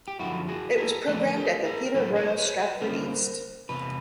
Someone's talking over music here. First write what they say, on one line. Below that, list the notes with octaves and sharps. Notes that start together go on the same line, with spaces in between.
It was programmed at the Theatre Royal Stratford East.
G4
F#2 D3 F3 E4 F#4
F#4 G#4
G#4 A#4
D3 F3 A3 C4 A4 B4
A#4
G4 A4
G#4 A#4
A#4
A2 F#3 B3 D4 A4 B4
B4 C#5
C5
B4 C#5
B4 C#5
D3 G3 A#3 C#4 A#4 C5
E2 C3 B4